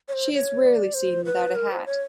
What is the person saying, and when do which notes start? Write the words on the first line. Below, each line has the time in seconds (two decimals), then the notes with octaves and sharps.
She is rarely seen without a hat.
0.08 C#5
0.13 C5
0.34 C#5
0.64 D5
0.94 C5
1.25 B4
1.55 A#4
1.72 C5
1.86 C#5